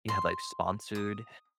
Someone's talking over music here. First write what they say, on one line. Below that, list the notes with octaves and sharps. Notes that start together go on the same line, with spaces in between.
you have, like, sponsored,
C6
D#6